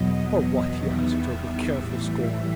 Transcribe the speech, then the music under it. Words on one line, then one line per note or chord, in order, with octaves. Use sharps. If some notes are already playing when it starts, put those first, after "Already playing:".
For what, he asked her, with careful scorn.
Already playing: E2 B2 F#3 B3 D#5
D#5
E2 D#3 G3 B3 E5
A2 E3 G3